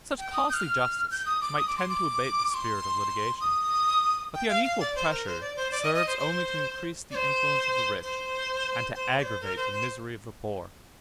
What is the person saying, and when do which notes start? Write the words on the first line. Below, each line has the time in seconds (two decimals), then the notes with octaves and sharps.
Such costly justice might tend to abate the spirit of litigation, but the unequal pressure serves only to increase the influence of the rich, and to aggravate the misery of the poor.
0.18 G5
0.33 D#6
0.49 G6
0.54 F6
1.11 G6
1.26 D#6
1.41 D6
1.57 D#6
1.67 D6
1.77 C6
1.89 D6
2.49 D6
2.54 C6
3.41 D#6
4.34 G5
4.48 F5
4.64 F5
4.80 D5
4.95 C5
5.11 A#4
5.26 C5
5.41 D5
5.56 C5
5.71 D5
5.83 D#5
5.94 D#5
6.07 C5
6.18 C5
7.11 D5
7.15 C5
8.03 C5
8.95 C5
9.18 D5
9.22 C5
9.41 A#4
9.57 C5
9.72 C5